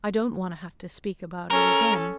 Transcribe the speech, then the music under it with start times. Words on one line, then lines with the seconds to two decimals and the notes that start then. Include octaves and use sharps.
I don't want to have to speak about it again.
1.50 C#4 A4 A#4